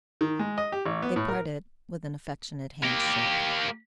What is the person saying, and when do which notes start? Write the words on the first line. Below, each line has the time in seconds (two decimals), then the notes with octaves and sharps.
They parted with an affectionate handshake.
0.21 D#3
0.39 G#3
0.58 D#5
0.72 G4
0.86 A1
1.02 B3
1.16 A2
1.28 A#4
2.83 A#3 G4